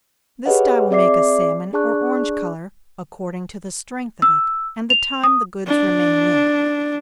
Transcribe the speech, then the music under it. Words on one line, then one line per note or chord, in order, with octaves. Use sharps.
This dye will make a salmon or orange color, according to the strength of it, and the time the goods remain in.
G4 G#4 B4 C#5 D#5 F#5
C4 G#4 D5 E5 D6 C7
D4 G#4 D5 A5 C#6 F#6
E6
F7
D#6
D4